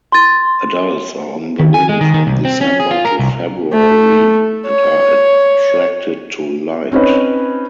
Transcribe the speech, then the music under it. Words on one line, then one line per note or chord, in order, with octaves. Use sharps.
Adults are on the wing from December to February and are attracted to light.
C6 A6
D#3
G#5
G#3
D#3
D#3
C2
C4
C#4
G#4
F4
A#4
C2
A3
C#5
C4 C#4 D#4 B4